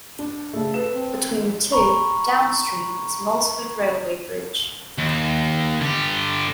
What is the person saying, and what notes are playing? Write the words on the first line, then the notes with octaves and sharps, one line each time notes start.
Between the two, downstream is Moulsford Railway Bridge.
D4
C#3 A3 A4
B4 A5 E7
C4
A#5 B5 C#6
D#2
D3 G4